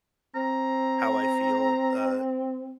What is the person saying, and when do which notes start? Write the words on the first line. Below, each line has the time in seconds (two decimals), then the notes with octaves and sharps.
how I feel. Uh,
0.35 C4 A#5